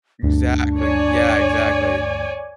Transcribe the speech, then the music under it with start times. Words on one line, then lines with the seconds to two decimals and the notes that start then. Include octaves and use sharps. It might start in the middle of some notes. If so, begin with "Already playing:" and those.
Exactly, yeah, exactly.
0.23 D2 G2 D4
0.78 C#5 D5 G#5